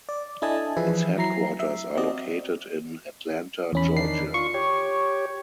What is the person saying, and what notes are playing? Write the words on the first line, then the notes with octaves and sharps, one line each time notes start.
Its headquarters are located in Atlanta, Georgia.
D5
D4 E4 A4 D#5 G#5 A5
E3 F3 G#4 B4 E5
F#3 E4 A#5 C7
E5
C4 F#4 D5 D#5
E2 C#4 B5
D#3 D4 C7
F4 C#6
G4 C#5